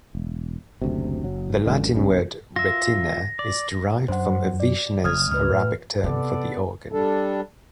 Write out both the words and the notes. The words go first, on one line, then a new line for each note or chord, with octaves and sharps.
The Latin word "retina" is derived from Avicenna's Arabic term for the organ.
E1
F#1 D2 C3
F#1 F#3
G#1 C#2 F#2 D3
F#1 B1 A2 C#4
F4 E5 A#6
D5
F#2 F#3 D4 C5 F#5
D5
F#1 D#6 F6 G#6
C#2 G#3 B4 F6
A2
C3 B3 C4 A4 D5
G3 D4 A4